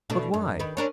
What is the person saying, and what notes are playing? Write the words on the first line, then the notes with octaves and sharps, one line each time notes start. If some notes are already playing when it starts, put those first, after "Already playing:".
"But why?"
B2 A3 D4
F#2
D#3 B4
C#4 D4 A#4